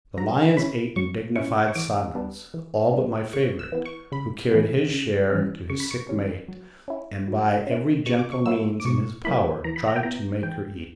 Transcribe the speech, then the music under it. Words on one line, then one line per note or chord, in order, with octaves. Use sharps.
The lions ate in dignified silence, all but my favourite, who carried his share to his sick mate, and by every gentle means in his power tried to make her eat.
F#3 A#5
C#4 E4 B5
F#3 C#6
C#4 E4 C#6
C#6
E3 D6
G3 B3 D4
E3
G3 B3 D4
C#3 C#6
E6
E3 B3
C#6
C#3 B5
E3 B3
C#3
E3 G3 C#4
C#3 C#6
B5
C#6
E3 G3 C#4
F#3
C#4 E4
F#3
C#4 E4
B2 C#6
D6
C#6
F#3 A#3 E4 E6
D6
B2 C#6
F#3 A#3 E4 B5
E3 A#5
B5
A#5
G5
B3 E4 A#5
E3 G5